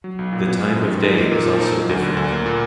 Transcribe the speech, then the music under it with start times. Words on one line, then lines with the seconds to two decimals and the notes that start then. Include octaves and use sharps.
The time of day is also different.
0.04 F#3
0.19 B1
0.33 A#2
0.47 B3
0.62 G#3
0.76 F#2
0.89 D#3
1.03 D#4
1.18 A#3
1.32 A#2
1.46 F3
1.60 D#4
1.75 F#3
1.89 D2
2.03 D3
2.17 D2
2.32 A#3
2.46 A#2